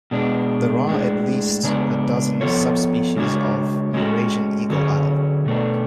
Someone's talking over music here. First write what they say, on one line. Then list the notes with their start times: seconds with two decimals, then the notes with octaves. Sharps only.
There are at least a dozen subspecies of Eurasian eagle-owl.
0.11 B2 G#3 D4
0.87 A2 G#3 D4
1.63 C#3 G#3 B3 D4
2.41 F3 B3 F4 A4 C#5
3.17 C#3 G#3 D4 F#4 C#5
3.94 G#3 C#4 F#4
4.70 D3 F#3 C#4 G#4
5.46 B2 A3 D4